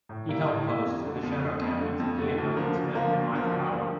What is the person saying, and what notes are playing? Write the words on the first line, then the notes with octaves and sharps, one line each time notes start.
He held posts in the shadow cabinets of Iain Duncan Smith and Michael Howard.
A2
G3 A#3 E4
A2
G3 A#3 E4
F2
D3 A3
F2
D3 A3
F2
D3 A3
F2
D3 A3
D2
D3 F3 A#3
D2
D3 F3 A#3
D2
D3 F3 A#3
D2
D3 F3 A#3